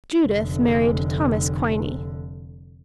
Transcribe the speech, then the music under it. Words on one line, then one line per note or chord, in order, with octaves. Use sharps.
Judith married Thomas Quiney.
F1 D3